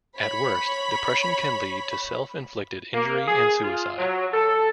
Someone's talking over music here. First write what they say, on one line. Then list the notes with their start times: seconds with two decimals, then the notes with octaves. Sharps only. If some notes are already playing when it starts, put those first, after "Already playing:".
At worst, depression can lead to self-inflicted injury and suicide.
0.17 C#5 B5 B6
2.94 A#3
3.27 G#4
3.63 F4
3.97 F#3
4.33 A4